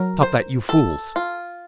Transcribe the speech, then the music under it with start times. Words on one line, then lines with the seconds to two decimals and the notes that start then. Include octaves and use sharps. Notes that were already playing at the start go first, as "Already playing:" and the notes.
"Stop that, you fools!"
Already playing: F#3 A#4
0.23 C5
0.69 A4
1.16 F4